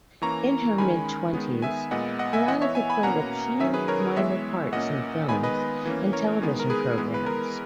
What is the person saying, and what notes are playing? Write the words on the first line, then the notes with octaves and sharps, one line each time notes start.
In her mid-twenties, Veronica played a few minor parts in films and television programmes.
E3 A#3 C#4 A#5 C#6
D#3 G#3 C#4 G#5 B5
D#3 G#3 B3
E5 G#5
A#2 G#3 B3 D#5 F#5
D#5 F#5
E5 G#5
E3 B3 D#5 F#5
C#5 E5
E5 G#5
G#5 B5
B2 A#3 C#4 F#5 A#5
D#3 F#3 C#4 E5 G#5
G#4 B4
A#4 C#5
E3 G#3 B3 C#5 E5
A#2 A#3 C#4 D#5 F#5
D#3 G#3 B3 G#5 B5
B4 D#5
E3 A#3 C#4
A#4 C#5
D#3 G#3 B3
A#4
G#4 B4
E3 G#3 B3
B4
A#4